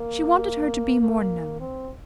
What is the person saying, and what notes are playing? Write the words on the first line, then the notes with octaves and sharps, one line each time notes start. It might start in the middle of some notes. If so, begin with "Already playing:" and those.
She wanted her to be more known.
Already playing: A#3
A#3
C4